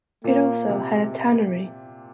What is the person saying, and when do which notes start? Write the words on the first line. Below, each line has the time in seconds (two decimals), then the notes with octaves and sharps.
It also had a tannery.
0.24 A#2 A#3
0.69 C3